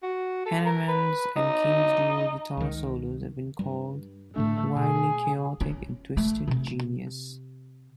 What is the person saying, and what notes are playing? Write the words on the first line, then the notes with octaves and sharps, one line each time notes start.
Hanneman's and King's dual guitar solos have been called "wildly chaotic," and "twisted genius".
F#4
A4
A#4
B4
D#4
C#2 D#3
G2 G3
A2 D3 A3 D4
B2 G#4
C#4
A3
C3